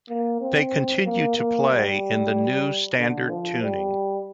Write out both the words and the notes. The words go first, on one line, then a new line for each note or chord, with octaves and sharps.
They continue to play in the New Standard Tuning.
A#3
C4
A#3
A#3
G3
D3
F3
G3